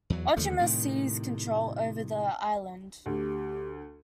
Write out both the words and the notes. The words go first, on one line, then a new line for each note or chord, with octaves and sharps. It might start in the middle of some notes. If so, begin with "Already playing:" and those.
Ochimus seized control over the island.
E2 F#3
D#2 D3 F3 A3
A2 C3 D#3
D2 G4